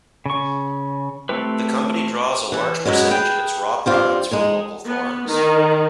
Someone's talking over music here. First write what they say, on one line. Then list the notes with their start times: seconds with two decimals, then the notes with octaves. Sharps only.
The company draws a large percentage of its raw products from local farms.
0.26 C#3 C#6
1.29 A3 C4 E4 G4 B4
2.52 E3 A4
2.85 F#2 G#3 B3 E4
3.10 G#4 B4 G5
3.86 G2 C4 F4
4.31 G#3 D#4 G#4
4.85 B3
5.28 D#3